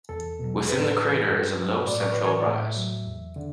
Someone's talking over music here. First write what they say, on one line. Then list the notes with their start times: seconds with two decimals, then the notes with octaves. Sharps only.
Within the crater is a low central rise.
0.09 E2 A4
0.39 B2 F#3
0.68 A2 B4
0.99 E3
1.28 G2
1.58 F#3
1.87 A2 D5
2.00 C#5
2.12 E3 B4
2.25 C#5
2.41 D5
2.46 A2 E5
2.77 F#3
3.06 E2
3.36 D3